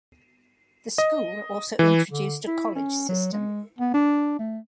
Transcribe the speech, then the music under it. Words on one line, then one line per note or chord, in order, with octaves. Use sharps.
The school also introduced a College system.
D#5
E3
D3
E4
C#4
F#3
G#3
B3
D4
A3